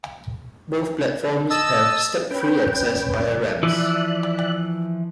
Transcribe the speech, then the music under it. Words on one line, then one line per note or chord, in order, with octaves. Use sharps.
Both platforms have step-free access via ramps.
D#5 A5 E6
C#4 B4 G5
E3 F3 D5 E5 F#6